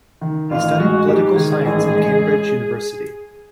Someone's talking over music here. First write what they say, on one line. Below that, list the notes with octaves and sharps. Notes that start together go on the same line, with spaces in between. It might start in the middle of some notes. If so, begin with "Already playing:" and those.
He studied political science at Cambridge University.
D#3
A1 F4
G#3 F#4
G#2 G4
D#3 G#4
A1
G#3